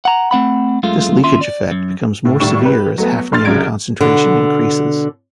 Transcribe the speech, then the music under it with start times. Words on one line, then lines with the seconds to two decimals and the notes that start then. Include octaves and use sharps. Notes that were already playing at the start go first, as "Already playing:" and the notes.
This leakage effect becomes more severe as hafnium concentration increases.
0.05 F#5 A#5
0.31 A3 C4 F#5 B5
0.83 F#2 G#3 A3 F4
1.24 D#2 C#4 F4 E5 C6
1.41 D5
1.71 F#2
2.25 A2
2.40 G#1 A2 G3 C#6 E7
2.62 G4 B4
2.98 F#3 A3 B3
3.32 A#1 C6 F6 A6
3.45 C2 C#3 F#3 G#6 D7
4.01 B2 D3